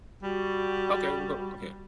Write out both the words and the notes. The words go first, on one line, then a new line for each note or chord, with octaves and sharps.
okay, we'll go, okay,
G3 F#4